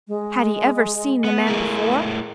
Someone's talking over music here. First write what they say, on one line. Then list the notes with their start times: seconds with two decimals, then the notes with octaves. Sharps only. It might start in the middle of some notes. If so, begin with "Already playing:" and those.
Had he ever seen the man before?
0.08 G#3
1.24 B3
1.47 G#3 A3 E4 A#4